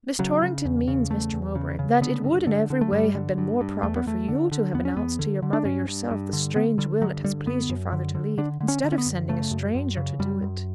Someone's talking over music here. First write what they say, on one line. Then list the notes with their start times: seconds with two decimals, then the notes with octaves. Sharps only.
"Miss Torrington means, Mr. Mowbray, that it would in every way have been more proper for you to have announced to your mother yourself the strange will it has pleased your father to leave, instead of sending a stranger to do it."
0.19 C#3 F#3
0.42 C#3
0.65 E2
0.88 C#3
1.10 E2 A3
1.33 E2
1.55 C#3
1.79 C#3
2.01 D3 B3
2.24 G2
2.47 D3
2.70 D3
2.81 A3
2.92 G2 G3
3.15 D3
3.38 G2
3.61 G2
3.83 E2 A3
3.96 B3
4.06 E2 A3
4.28 D3
4.51 D3
4.74 E2 B3
4.85 C#4
4.96 E2 B3
5.19 D3
5.42 D3
5.53 D4
5.65 G2 C#4
5.88 G2
6.11 G2
6.33 D3
6.56 D3 B3
6.78 D3 G3
7.02 G2 F#3
7.24 D3 G3
7.46 F#2 B3
7.69 F#2
7.92 D3
8.15 D3
8.38 D3 D4
8.60 D3
8.68 C#4
8.84 D3
8.92 C#4
8.98 B3
9.06 F#2
9.29 C#3 A3
9.51 F#2
9.75 F#2
9.97 C#3
10.19 F#2 G3
10.42 F#2